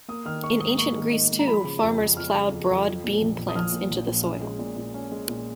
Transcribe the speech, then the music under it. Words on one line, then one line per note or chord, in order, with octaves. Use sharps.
In Ancient Greece too, farmers ploughed broad bean plants into the soil.
A#3 D#6
D#3 F6
D#4 C#6
G#2 D#6
A#3 C#6
D#3
D#4
G#2
A#5
F3 B5
C#3
F2
F2
F3 F6
C#3
F2
F2
F3
A#2
A#1
A#1
D#6
F3 F6
A#2
A#1
A#1
C#4
G#3
A#2
A#2
C#4
G#3
A#2